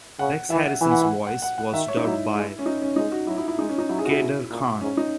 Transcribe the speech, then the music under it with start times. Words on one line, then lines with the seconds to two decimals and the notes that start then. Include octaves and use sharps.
Rex Harrison's voice was dubbed by Kader Khan.
0.19 C#3 F#5
0.50 E3 E5
0.66 F#5
0.81 E3 G#5
0.92 F#5
1.02 F#5
1.27 F#5
1.42 F#5
1.58 F#5
1.73 D#3 E5
1.88 C#5
1.97 D#4
2.04 F#3 E4
2.35 G#3
2.59 C#4
2.66 D#4
2.82 C#4
2.96 G#3 D#4
3.12 F#4
3.27 F#3 E4
3.37 E4
3.48 E4
3.58 G#3 D#4
3.69 C#4
3.78 D#4
3.89 F#3 E4
3.99 G#4
4.05 F#4
4.10 E4
4.19 B2
4.50 A#2
4.81 G#2 C#4
4.97 D#4